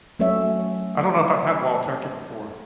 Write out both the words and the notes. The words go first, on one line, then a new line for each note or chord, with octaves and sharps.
I don't know if I've had wild turkey before.
F#3 A3 C#4 C#5 E5